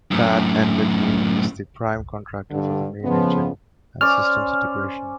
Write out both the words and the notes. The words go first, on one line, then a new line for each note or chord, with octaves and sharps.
Pratt and Whitney is the prime contractor for the main engine, and systems integration.
F#2 A2
G2 D3
F2 C#3 F3 B3
C#4 C5 D5 F6